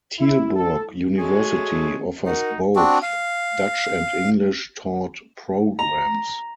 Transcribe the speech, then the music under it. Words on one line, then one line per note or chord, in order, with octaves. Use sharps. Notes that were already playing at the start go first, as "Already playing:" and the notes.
Tilburg University offers both Dutch-and English-taught programs.
E4
A4
G#3 A3 F#4 G#4 C#5
D#4 F#4 A#4
C4 D4 F#4
F5
A#5